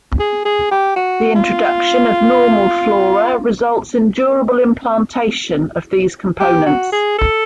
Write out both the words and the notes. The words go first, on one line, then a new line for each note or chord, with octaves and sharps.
The introduction of normal flora results in durable implantation of these components.
G#4
G#4
G4
F#4
F4
G4
F#4
G#4
A4